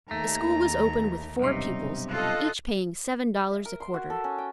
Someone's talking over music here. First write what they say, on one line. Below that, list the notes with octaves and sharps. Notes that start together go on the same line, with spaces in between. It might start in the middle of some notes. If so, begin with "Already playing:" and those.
The school was opened with four pupils, each paying seven dollars a quarter.
D#2 A3 A#5
B1 G2 C3 D#4
F4 A4 D#5 F#6
E5
A#4
C6
F#4
A4
C#4
G5